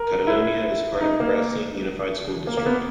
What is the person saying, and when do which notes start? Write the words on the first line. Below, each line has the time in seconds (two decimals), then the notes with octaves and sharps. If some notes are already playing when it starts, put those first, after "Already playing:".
Caledonia is part of Racine Unified School District.
Already playing: A#4
0.27 E4
1.01 D#4
1.20 A#3
2.47 A#3
2.57 A#3
2.66 B3